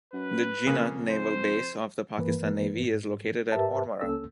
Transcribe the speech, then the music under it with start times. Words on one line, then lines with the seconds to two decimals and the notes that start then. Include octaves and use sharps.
The Jinnah Naval Base of the Pakistan Navy is located at Ormara.
0.14 F#2 B4
0.66 F2 C#3 A#3
1.11 C5
2.18 G2 E3 A#3 A#4 B4
2.84 G#2
3.52 G#2 G4 A#4 B4 E5 A5
4.01 C#2 A#3 C#4 A4 E6